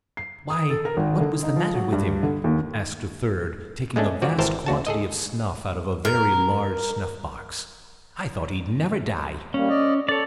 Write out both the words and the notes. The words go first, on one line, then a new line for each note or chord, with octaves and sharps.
"Why, what was the matter with him?" asked a third, taking a vast quantity of snuff out of a very large snuff-box. "I thought he'd never die."
C7
D#6
A4
A#4
G#1
D3
D#4
F3
F#3
G2
D3
D#2
G#3 A3 C#4 D4
F3 F#4 D5
G#1 E3 A#4 C5 G5 A5
D2 F#4 A5
G#4 A4 D#5
A#4
G3 A#3 C#4
D5 D#5
A4 C#5 D5